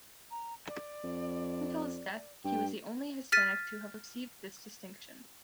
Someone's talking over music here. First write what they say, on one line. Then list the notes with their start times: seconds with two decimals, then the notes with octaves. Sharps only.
Up until his death, he was the only Hispanic to have received this distinction.
0.31 A#5
0.68 D5
1.03 F2
2.44 G2 G5
3.32 F6 A6 B6 D#7